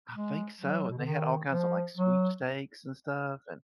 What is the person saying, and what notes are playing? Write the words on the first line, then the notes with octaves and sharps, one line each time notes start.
I think so, and they had all kinds of, like, sweepstakes and stuff and,
G#3
F#3
B2
D3
D#3
F3
F#3